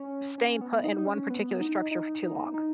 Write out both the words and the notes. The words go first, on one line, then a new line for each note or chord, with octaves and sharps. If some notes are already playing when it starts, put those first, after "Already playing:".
staying put in one particular structure for too long?
Already playing: C#4
C#4
B3
D#4
D#4
C#4
B3
D#4
D#4
D#4
D#4